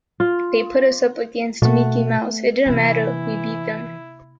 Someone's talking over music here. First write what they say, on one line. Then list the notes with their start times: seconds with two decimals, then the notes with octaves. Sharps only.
They put us up against Mickey Mouse, it didn't matter, we beat them.
0.20 F4
1.62 B2 A3 F#5
2.66 C3 E3 A#3 E4